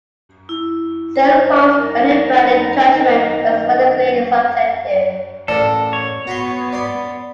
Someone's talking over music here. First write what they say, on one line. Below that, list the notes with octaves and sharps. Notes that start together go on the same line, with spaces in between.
Searle calls any value judgment epistemically subjective.
E4
C5
D#4 A#4 A#5
D#3
A1 A4 A#4 D5
C#5
B3 F#4 B5 C6
D5 B5 C6